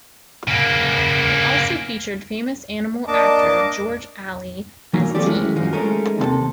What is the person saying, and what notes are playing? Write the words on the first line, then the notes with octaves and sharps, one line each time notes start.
It also featured famous animal actor George Ali as Tige.
C#3 A#3
A#3 D4 D#5 A5 D6
E3 F#3 A#3 D#4
F3 F#3 A3 C4 G4 D5
D#3 F#3 G#3 C#4 E4
F#2 F3 D#4
G#3 A3 C#4 D#4 A#4
D#2 C3 A4